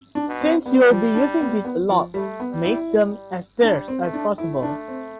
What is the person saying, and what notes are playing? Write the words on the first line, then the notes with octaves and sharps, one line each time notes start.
Since you'll be using these a lot, make them as terse as possible.
D4
B2
C4
G3 B3
F3
D4
B3
B3
F3
G3 A3
B3
G3
E4
G3
G3 D4
C4
A3
D4
A3 E4
D4
C4